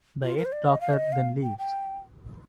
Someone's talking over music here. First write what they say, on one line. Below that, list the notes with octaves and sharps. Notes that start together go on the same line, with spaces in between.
The Eighth Doctor then leaves.
F4
A#4
C5
D5
D#5
F5
D#5
F5
G5
G5